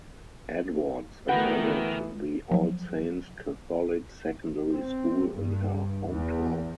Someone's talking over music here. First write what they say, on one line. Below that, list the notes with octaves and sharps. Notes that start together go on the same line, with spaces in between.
Edwards attended the All Saints Catholic Secondary School in her hometown.
E3 A3 B3 F#4 A#4 B4 F#5 G5
F3 F#3
C4
G2
E2